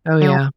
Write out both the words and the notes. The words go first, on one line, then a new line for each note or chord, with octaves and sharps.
Oh, yeah.
F#3